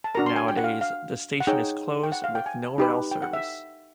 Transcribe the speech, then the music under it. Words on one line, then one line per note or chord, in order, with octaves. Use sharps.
Nowadays, The station is closed with no rail service.
A5
D4 F#4 A#4 A#5
C6
G#5
G5
F#5
F5
F5
F#5
D#4 G#4 C#5 G5
G5
F#5
F5
G5
G#5
D#4 G4 B4
G5
F#5
E5